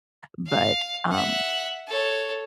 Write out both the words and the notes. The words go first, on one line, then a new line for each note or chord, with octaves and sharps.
but, um,
F5
E5 F#5
A4 C#5